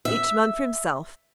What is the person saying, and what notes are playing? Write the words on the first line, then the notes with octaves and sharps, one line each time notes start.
Each man for himself.
E5